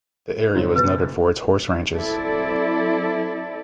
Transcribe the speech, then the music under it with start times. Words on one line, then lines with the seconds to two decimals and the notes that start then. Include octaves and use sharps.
The area was noted for its horse ranches.
0.55 G#2 C#3 F#3
0.76 F#1 B2 B4 A6
1.95 F#3 C4 E4 A4 D5